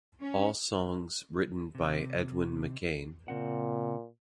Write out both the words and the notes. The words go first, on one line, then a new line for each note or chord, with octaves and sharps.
All songs written by Edwin McCain.
C#4
C3
A#2 C#3 C4 F#5